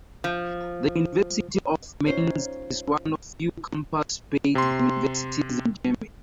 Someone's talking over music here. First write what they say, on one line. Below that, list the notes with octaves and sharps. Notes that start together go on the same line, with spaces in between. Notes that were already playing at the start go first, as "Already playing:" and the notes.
The University of Mainz is one of few campus-based universities in Germany.
F3
C#4 D#4 F4 C5 C#5
C3 C6